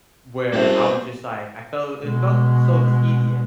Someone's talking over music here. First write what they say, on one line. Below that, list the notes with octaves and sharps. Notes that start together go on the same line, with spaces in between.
where I was just like I felt it felt so tedious
C2 A#3 C4 C#4 F#4 G#4 E5
B2 G#3